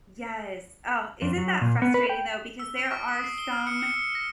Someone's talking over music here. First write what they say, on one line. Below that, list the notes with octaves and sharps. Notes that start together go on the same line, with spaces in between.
Yes, oh, isn't that frustrating, though, because there are some
F2
F#3
A#2
B3
B4
G5
E6
D7
C#6
D#6
C7
G7
F6
C#7
C#7
E6
A#6